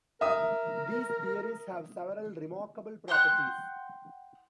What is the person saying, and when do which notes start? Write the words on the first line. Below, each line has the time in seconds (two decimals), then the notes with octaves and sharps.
These theories have several remarkable properties.
0.21 A#4 E5 D#6
3.08 F#5 G5 C6 F#6